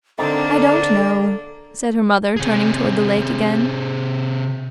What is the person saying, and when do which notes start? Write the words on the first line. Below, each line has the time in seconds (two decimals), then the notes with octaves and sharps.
"I don't know," said her mother, turning toward the lake again.
0.18 D3 A#3 C4 D4 D#4 A4 D5
2.37 C3 G#4